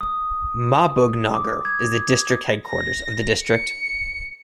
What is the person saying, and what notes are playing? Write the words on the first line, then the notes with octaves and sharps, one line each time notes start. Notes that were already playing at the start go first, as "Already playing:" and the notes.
Mahbubnagar is the district headquarters of the district.
D#6
D6
G#6
A#6
C#7